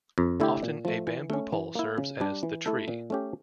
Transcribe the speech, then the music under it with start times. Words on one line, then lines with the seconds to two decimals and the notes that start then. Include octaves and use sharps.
Often a bamboo pole serves as the "tree".
0.18 F2
0.40 D3 A3 E4 G4
0.63 A#2
0.85 F3 A3
1.07 E3
1.30 A3 C#4
1.52 E3
1.75 A#3 E4
1.98 C#3
2.20 G3 D4
2.43 E3
2.66 A3 E4 A4
2.88 A#2
3.10 A3 C#4 G4